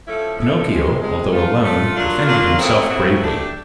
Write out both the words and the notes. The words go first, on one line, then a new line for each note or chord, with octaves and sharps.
Pinocchio, although alone, defended himself bravely.
F3 A3 C#4 E4 A4
F3 A3 C#4 E4 A4
C3 F3 G#3
C3 F3 G#3
A3 C#4 F4
A3 C#4 F4
F#3 A#3 D4 F4
F#3 A#3 D4 F4
C#3 F#3 A3 C4 E4
C#3 F#3 A3 C4 E4
A3 D4 G4